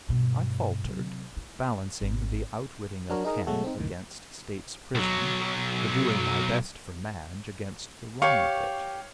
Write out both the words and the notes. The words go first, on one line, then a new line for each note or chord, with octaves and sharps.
I faltered, balancing the outwitting of Camp against State's prison, the doing my best for Madge against the wrong of it.
G2 B2
C3 F#3
E4
G#1
F#3 D4 F#4 A#4 C#5
D#4 G#4 A#4 D#5
B2 F#3 G#3 A3 F#4 A4
C4 D#4
C#2 F#2 A2 D#3
B1 F#3
G4 C#5 F5 C#6